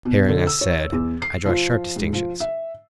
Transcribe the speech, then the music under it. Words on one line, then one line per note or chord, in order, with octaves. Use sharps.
Herein, as said, I draw sharp distinctions.
B2
D3
E6
C#5
E2
C7
F3
G#2
F3
E5